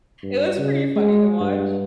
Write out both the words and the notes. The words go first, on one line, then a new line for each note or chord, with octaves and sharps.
Iit was pretty funny to watch.
G2
C#3
G#3
G2